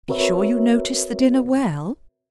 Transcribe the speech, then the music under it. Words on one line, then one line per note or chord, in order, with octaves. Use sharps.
Be sure you notice the dinner well.
C4 F#4 A#4 B4 C#5 E5